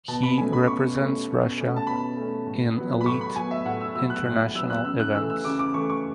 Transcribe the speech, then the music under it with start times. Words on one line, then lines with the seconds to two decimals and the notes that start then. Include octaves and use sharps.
He represents Russia in elite international events.
0.08 B2 A5
0.23 B5
0.38 A3 G#5
0.41 C#4
0.53 B5
0.68 B2 C#6
0.98 A3 C#4
1.27 B2
1.57 A3 C#4
1.76 A5
1.87 B2 B5
2.17 A3 C#4
2.46 A2
2.76 F#3 B3
3.01 B5
3.06 A2 C#6
3.21 B5
3.36 F#3 B3 G#5
3.51 E5
3.66 A2 F#5
3.81 E6
3.95 F#3 B3 E6
4.10 F#6
4.25 A2 F#6
4.55 F#3 B3 E6
4.70 F#6
4.85 C#3 E6
5.00 F#6
5.15 E3 A3 E6
5.30 E6
5.45 C#3 D6
5.59 D6
5.74 E3 A3 C#6
5.90 C#6